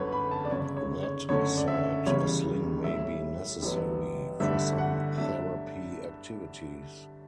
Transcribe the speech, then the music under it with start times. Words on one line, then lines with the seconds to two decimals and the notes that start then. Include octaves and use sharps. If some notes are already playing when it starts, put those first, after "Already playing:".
That said, a sling may be necessary for some therapy activities.
Already playing: G1 F#2 D3 B4 C#5
0.12 B5
0.31 A5
0.45 D5
0.51 G1 F#2 C#3 C#5
0.77 C#5
1.03 C#5
1.29 F#1 F#2 D3 A3 C#4 C#5
1.57 D5
1.68 E5
2.06 F#1 E2 C#3 G3 C#5
2.84 B1 A2 G3 E5
3.62 A1 G2 F#3 B3
4.40 G1 G2 D3 A3 D4 E5
4.78 F#5
5.18 G2 F#3 A3 D4 E5